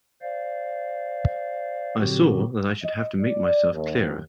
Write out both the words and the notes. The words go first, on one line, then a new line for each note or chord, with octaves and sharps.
I saw that I should have to make myself clearer.
C5 D5 F5
A#2 D3 F#3 C4 F#4 G4
D#5
D5
D#2